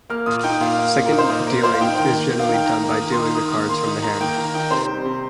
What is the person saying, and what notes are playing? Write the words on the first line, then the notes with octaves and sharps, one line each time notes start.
Second dealing is generally done by dealing the cards from the hand.
A#3 F6
A#2 D#6
D#4 G5
A#2 F5
A#3
A#2
A#4
D#4
C5
A#2 D#5
A#3 A#4
A#2 C5
F5
D#4 G5
D#3 G5
A#3
D#3
F5
D#4 G5
D#3 A#5
A#3
D#6
D#3
C6
D#4
D#3 D#6
A#3 D#6
D#3 C6
D#4 D#6
D#3 A#5
A#3 G5
D#3 A#5
D#4 G5
C3 C5
G3
C3